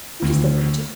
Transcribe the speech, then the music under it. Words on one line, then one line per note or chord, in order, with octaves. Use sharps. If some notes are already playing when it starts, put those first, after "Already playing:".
What is the matter?
D2